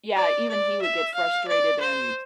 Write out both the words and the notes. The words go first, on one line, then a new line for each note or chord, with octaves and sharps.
yeah, even he would get frustrated and
D5
D5
E5
F5
D5
C5